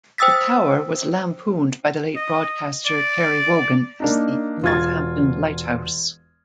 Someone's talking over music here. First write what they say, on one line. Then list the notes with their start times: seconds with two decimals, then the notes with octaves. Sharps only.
The tower was lampooned by the late broadcaster Terry Wogan as the "Northampton lighthouse".
0.18 C5 G5 D#6 E6 A6 B6
2.16 D#5
2.86 D5
4.00 A#3 D4 D#4
4.63 E1 F4 F5 G#6 A6